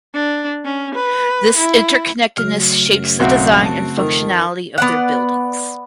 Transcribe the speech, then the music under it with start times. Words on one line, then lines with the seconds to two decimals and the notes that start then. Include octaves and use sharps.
This interconnectedness shapes the design and functionality of their buildings.
0.14 D4
0.64 C#4
0.94 B4
1.57 E4
2.38 C#3 F#3 A3 F6
2.90 F#2
3.20 B1 C4 F#4 E5
3.65 A5
3.97 F2 D#3
4.78 B3 D5 F#5